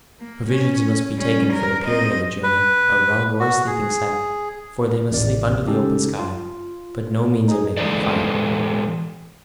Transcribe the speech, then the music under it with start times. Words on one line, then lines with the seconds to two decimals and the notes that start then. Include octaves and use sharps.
Provisions must be taken for the period of the journey, a rug or sleeping sack--for they must sleep under the open sky--but no means of making a fire.
0.20 A#3
0.50 C#4
1.17 G3 C#4
1.54 A#4
1.86 C4 D#5
2.43 B4
3.40 F#4
3.67 G#4
5.11 A1 D#2 D5
5.68 C#3 G#3 C#4 D#4 G4 A4
6.19 F4
7.48 D#4 G#4
7.77 E3 G#3 A4 C5 D5